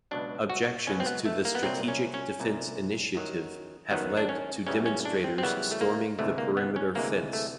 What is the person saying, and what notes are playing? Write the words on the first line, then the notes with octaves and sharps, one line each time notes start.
Objections to the Strategic Defense Initiative have led to demonstrators storming the perimeter fence.
C#2 B2 F#3 D4
F#4
C#2 B2 F#3 C#4
C4
B3
A3
A#3
B3
C2 A#2 F#3 C4
C#4
C#4
C2 A#2 F#3
F#2 D#3 F#3
F#2 D#3 F#3 B3
D4
C#4
F#2 C#3 E3 G3 C#4
C#4
D4
C4
C4
F#2 C#3 E3 G3 B3
A3
A#3
D2 C3 E3 G#3 A3
A#3
B3
C#4
D2 C3 E3 G#3 A#3
A3